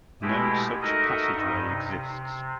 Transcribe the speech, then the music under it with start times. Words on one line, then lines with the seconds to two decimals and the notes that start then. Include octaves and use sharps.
No such passageway exists.
0.22 B2 G#3 A3 E4 G4
0.82 D#4 F#4 A4 A#4 D#5 E5
1.34 G2 D#4
1.66 C3